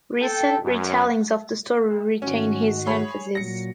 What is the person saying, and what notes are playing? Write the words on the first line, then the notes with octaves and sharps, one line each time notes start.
Recent re-tellings of the story retain his emphasis.
A4 G5
F#2
G#2 D#3 C#4 F#4
G#4 C#5 B5
A#2 F#3 A#6 C#7